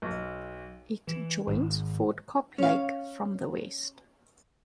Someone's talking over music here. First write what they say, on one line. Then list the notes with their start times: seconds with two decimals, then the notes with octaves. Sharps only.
It joins Fort Cobb Lake from the west.
0.02 B1
1.07 E3
1.47 G#1
2.58 C#4 F5